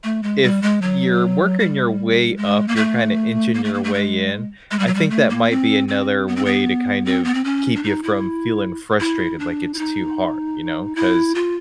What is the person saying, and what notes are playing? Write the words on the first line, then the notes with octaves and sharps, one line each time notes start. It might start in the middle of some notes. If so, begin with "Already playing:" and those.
if you're working your way up, you're kinda inching your way in, I think that might be another way to kind of keep ya from feeling frustrated, like, it's too hard, you know? 'Cause,
A3
G#3
G3
G#3
F#3
G3
G#3
A#3
A3
A#3
A3
A#3
A3
G#3
G#3
G3
F#3
G3
A3
A#3
C4
C4
B3
C4
B3
C4
B3
C4
C#4
D4
D#4
E4
E4
D4
E4
D#4
E4
F4